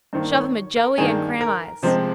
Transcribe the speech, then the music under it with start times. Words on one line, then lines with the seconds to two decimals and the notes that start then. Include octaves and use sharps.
Shove him a joey and grahamise.
0.13 G2 D#3 A#3 C5
0.34 C#5
0.76 A#4
0.98 G2 D#3 A#3 G#4
1.41 A#4
1.83 C3 F3 G#3 C4 C5